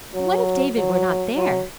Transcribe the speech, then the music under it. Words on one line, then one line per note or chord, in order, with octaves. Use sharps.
What if David were not there!
F#3
F#3
F#3